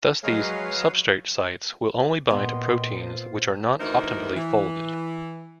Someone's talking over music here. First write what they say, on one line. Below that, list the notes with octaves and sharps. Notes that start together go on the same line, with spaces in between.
Thus, these "substrate sites" will only bind to proteins which are not optimally folded.
F#3 G#3 B4 C#5 D#5 F5 A#5 F6
A#2 B3 D#5 G5 C6
F4 C5
D2 D#3 E3 D#4 A#4 C5
E3